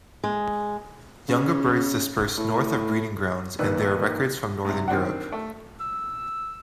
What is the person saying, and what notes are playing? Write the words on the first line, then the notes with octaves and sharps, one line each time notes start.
Younger birds disperse north of breeding grounds and there are records from Northern Europe.
G#3
C#3
A2
A#1 D#3 B4 D5 E6 F#6
G#2 C3
D#3 C4 D4 F#5
A3
E6